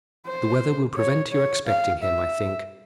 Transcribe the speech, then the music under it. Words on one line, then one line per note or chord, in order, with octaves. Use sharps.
The weather will prevent your expecting him, I think.
C5
C#5
C#5
F5
E5